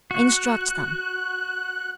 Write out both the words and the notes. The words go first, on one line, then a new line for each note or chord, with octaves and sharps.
"Instruct them."
F#4 F#6